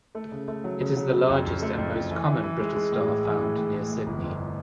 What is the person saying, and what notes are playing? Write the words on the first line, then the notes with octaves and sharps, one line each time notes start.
It is the largest and most common brittle star found near Sydney.
A3
C#3
A3
F#3
C#3
F#3
F#3
F2
F2
A3
F2
F2
E3
E3
E3
G#3
G#3
A2
A2
E3
A2
A2
G#3
A2
G1
F2